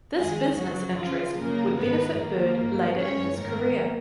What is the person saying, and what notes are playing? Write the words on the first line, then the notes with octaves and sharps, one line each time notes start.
This business interest would benefit Bird later in his career.
F2 D#3 G#3 G#4
F2 C#3 F#3 F#4
F2 C#3 F3 F4
F#2 C#3 A#3 A#4
G#2 D#3 B3 B4
F2 D#3 A#3 A#4
G#2 D#3
F#2 C#3 C#4 C#5
G#2 D#3 A#3 A#4